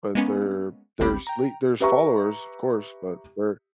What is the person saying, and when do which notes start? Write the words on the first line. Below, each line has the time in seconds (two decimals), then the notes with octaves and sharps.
but there there's le there's followers, of course, but they're
0.15 G#3 A#3 B3 C#4
0.99 G1 C#2 C4 G4 B5
1.27 G5 A#5
1.80 G4 B4 E5 A#5 C#6